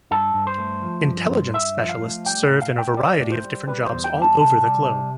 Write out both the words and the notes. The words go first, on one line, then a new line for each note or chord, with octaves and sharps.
Intelligence specialists serve in a variety of different jobs all over the globe.
G2 A4
G2
C5
A3
F3
G2
G2
G2 E5
F3
F5
A3
G3 G5
A2
F5
A2
G5
G3 D5
A2
C5
G3
G3 B4
C5
E2
G5
G3
A5
C3 A5
G3
C3